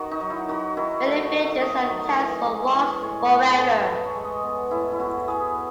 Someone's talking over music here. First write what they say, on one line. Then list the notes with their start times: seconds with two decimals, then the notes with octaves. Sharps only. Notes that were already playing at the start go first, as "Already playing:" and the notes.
Many villages and towns were lost forever.
Already playing: D#3 F#4
0.11 D#4
0.21 F#3
0.30 E4
0.48 D#3 F#4
0.77 D#3 E4
1.06 A3 F#4
1.33 D#3
1.61 A3 D#5
1.90 F#3
2.18 E3
2.46 G#3
2.64 C#5
2.74 E3 D#5
3.03 A2 C#5
3.31 A2 B4
3.50 G#4
3.59 A2
3.68 A4
3.87 E3 B4
4.05 C#5
4.15 G#3
4.24 D#5
4.44 B3
4.71 A2 E4
4.92 E4
4.99 B3 F#4
5.28 B3 G#4